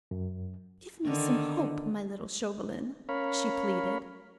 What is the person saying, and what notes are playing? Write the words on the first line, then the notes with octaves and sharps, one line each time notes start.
"Give me some hope, my little Chauvelin," she pleaded.
F#2
D3 D#3
C#4 A#4 C#5 F5 B5